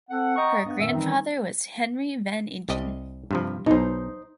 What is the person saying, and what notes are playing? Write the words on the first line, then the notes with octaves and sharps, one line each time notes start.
Her grandfather was Henry van Ingen.
C4 A4 F#5
D#5 F#5 G5 A#5 C#6
G2 B3
F#2 A#2 D#3 E5
D#3 E3 G3 C4 D#4
C2 G4 D#5
G2 C3 F3
B1 B2 D#4 C5